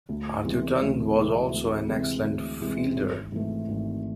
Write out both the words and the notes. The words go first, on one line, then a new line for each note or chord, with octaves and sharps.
Arthurton was also an excellent fielder.
D2
C3 E3 G#3 C4
D2
C3 E3 G#3 C4
D2
C3 E3 G#3 C4
D2
C3 E3 G#3 C4
G#1
G#2 E3 A3
G#1